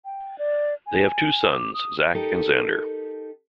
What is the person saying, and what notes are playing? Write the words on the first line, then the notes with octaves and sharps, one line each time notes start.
They have two sons, Zack and Xander.
G5
D5
G#5
D6
D#6
D#4 G4 A4 A#4